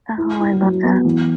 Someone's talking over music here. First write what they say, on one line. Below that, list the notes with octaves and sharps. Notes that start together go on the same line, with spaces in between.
Oh, I love that.
E4
E4
F#3
B3
E3